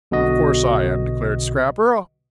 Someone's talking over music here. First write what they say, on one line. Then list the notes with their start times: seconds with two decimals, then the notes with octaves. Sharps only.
"Of course I am," declared Scrapper.
0.11 B1 B2 D3 F#4 D#5